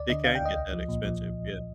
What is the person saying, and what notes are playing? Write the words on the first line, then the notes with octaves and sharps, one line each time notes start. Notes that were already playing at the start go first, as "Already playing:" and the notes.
they can get that expensive, yeah.
Already playing: D2 D5
D3 D#5
D3 F5
G5
D2 D#5
C2
F3
A#2
F3